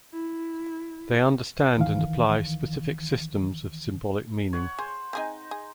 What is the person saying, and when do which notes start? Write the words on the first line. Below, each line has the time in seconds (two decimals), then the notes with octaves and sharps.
They understand and apply specific systems of symbolic meaning.
0.14 E4
1.77 C#2 D#3 E3 F5
4.53 C#5 F#5
4.79 G#4 C5
5.13 C4 D#4 G#4 G#5 D#6
5.51 G#4